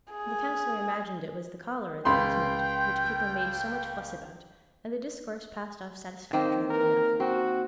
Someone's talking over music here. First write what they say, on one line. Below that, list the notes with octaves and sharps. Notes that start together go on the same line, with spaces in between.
The Councillor imagined it was the cholera that was meant, which people made so much fuss about; and the discourse passed off satisfactorily enough.
G#4
C#2 G5 B5 C6
D#3 A#3 C4
A#4
C4 F#4